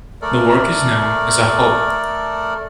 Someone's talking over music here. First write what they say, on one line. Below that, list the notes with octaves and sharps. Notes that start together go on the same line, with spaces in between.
The work is known as "Akhob".
A3 A4 A#4 D5